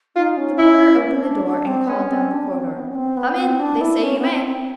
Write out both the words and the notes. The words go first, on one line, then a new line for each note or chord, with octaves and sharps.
The porter opened the door and called down the corridor: "Come in. They say you may."
D#4 F4
C#4
E4
D4
D4
C4
B3 C#4
C4
D4
C#4
C4
B3
C#4
C4
B3
C4
D4
E4
C#4
B3
C4
C4